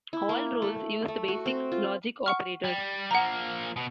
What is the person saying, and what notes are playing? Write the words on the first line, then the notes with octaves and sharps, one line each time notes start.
All rules use the basic logic operators.
E4
A#3
A3
A3
F#4
C4
F4
F#5 C#6 F6
G3
F3 A#3 F#5 A#5
B2